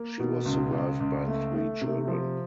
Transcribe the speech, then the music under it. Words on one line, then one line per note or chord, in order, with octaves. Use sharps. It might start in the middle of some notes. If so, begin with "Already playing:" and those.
She was survived by three children.
Already playing: A#3
B2
C#2
C#2
C#2
A3
A3
C3
F3